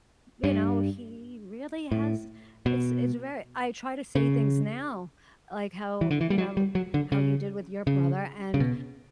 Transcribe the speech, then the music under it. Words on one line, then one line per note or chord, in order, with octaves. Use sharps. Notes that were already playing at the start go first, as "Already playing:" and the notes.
you know, he really has it's it's very I try to say things now like how you know, how you did with your brother and,
G2
A2
B2
C#3
E3
D3
E3
G3
F#3
G3
F#3
D3
C#3
C#3
C#3
B2